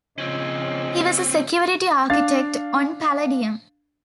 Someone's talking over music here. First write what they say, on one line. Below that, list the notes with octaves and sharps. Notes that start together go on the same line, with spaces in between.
He was a security architect on Palladium.
C#3 F3 C4 C#4 D#5
D4 F5 A6